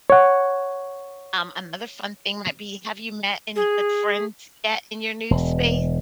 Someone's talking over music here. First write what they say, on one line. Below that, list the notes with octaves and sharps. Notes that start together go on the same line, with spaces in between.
um, another fun thing might be have you met any good friends yet in your new space?
C#5 F#5
G#4
E1